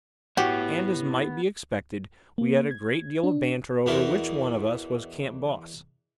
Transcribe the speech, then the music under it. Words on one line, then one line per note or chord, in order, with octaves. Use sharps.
And as might be expected, we had a great deal of banter over which one of us was Camp Boss.
B3 E4 F#4 G4 C#5
A#3
G#6
D4
E2 B2 E3 A#4 E5